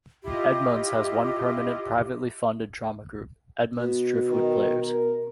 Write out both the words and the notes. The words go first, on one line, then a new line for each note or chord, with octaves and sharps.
Edmonds has one permanent, privately funded drama group, Edmonds Driftwood Players.
E4 F4 G4 D#5
B2
D#3
A#4